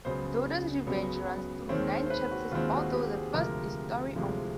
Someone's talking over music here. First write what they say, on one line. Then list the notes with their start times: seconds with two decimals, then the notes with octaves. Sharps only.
"Zoda's Revenge" runs through nine chapters, although the first is story-only.
0.05 C#2 C#3 F#3 B3 C5
0.87 C#2 C#3 F#3 B3
1.69 D#2 D#3 G#3 C4 C#5
1.90 C5
2.06 C5
2.10 B4
2.31 F#4
2.51 D#2 D#3 G#3 C4 F4
2.72 F#4
2.92 G4
3.13 G#4
3.34 D2 C3 F3 G#3 A#4
4.15 D2 C3 F3 G#3